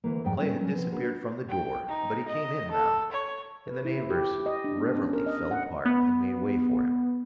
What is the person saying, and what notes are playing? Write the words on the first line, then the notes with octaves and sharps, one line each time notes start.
Clay had disappeared from the door; but he came in, now, and the neighbors reverently fell apart and made way for him.
D2 E3 A#3
F2 G#2 G3 D5 G5
G3 C4 C#4 B4 D#5 G5
F#3 C#4 A#4
B2 F3 C4
A#3 D4 F#4 A#4 B4
G5
D#4
D#5
A4
C#5
B4
E4
G4
D#5
D4
B3
C#4
A#4
D#5
F#5
B3